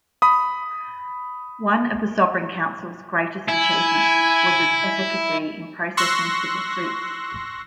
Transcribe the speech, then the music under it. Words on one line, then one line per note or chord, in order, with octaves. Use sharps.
One of the Sovereign Council's greatest achievements was its efficacy in processing civil suits.
B5 D#6
E4 G#5
C6 C#6 E6 F#6 A#6